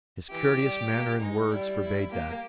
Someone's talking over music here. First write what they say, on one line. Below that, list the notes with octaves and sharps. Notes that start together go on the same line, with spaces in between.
His courteous manner and words forbade that.
E3 G4
G3
A#3
G#3 D#4
G3 E4
E4
A#3 G4